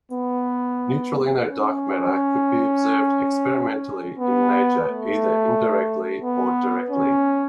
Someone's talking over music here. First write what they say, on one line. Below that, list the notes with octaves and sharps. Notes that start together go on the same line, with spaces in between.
Neutralino dark matter could be observed experimentally in nature either indirectly or directly.
B3
C#4
B3
A3
B3
C#4